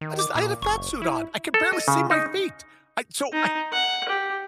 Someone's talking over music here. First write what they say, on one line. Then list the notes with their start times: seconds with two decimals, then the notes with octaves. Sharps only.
I just I had a fat suit on, I could barely see my feet. I so I
0.01 D#3
0.19 D6
0.35 A#2
0.62 F#1 C#6
1.02 E4
1.54 A4
1.73 D#5
1.88 C#3
2.11 D#4
3.33 D#4
3.73 F#5
4.09 G4